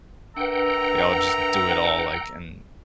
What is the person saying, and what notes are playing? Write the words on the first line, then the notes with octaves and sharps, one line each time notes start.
like, I would just do it all like, and
D4 A#4 B4 E5 F#5 G5 A#5 E6